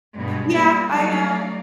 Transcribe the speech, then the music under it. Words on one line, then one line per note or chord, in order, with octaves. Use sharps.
Yeah, I am.
G2 B2 G#3
G3 A#3 B3
F#3 G3 A3 D#4 D5 F5